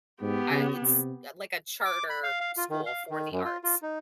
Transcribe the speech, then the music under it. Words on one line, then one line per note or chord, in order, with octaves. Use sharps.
uh, it's uh, like a charter school for the arts,
G#2 B3 G4
C#3
C3
D6
B5
F5
F5
F4
D#3
F5
D#3
F#2
F4
F4
D#4